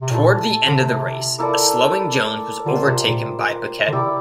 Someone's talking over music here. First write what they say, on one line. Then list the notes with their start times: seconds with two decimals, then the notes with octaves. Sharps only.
Toward the end of the race, a slowing Jones was overtaken by Piquet.
0.01 C3
0.11 A#2 A3 E4 A4
0.67 D3
0.74 C3
1.39 A#3 E4 A4 D5
2.66 D3 G3 A#3 F4 C5
2.87 C3
3.08 A#2
3.88 D3
3.92 C3 E4 G4 D5